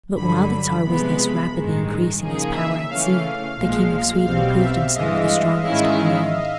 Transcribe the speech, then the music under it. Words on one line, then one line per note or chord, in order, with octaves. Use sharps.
But, while the Czar was thus rapidly increasing his power at sea, the King of Sweden proved himself the strongest on land.
G2 D3 F#3 B5
C3 F3 G#3 B3
A1 G2 D#3 G#3
C#3 F3 A#3 D#4 G#4
E5
C#3 E3 A3 C#4 F5
B1 A#2 F3 G#3
B1 B2 G3 C4 F5
E5
G2 E3 G#3 D#5
G#2 D#3 G#3 C#4 E4